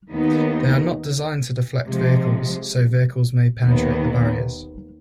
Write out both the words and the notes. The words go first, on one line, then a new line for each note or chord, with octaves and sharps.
They are not designed to deflect vehicles, so vehicles may penetrate the barriers.
D#2 D#3 B3 D#4
C3 F3 G#3
D#2 D#3 B3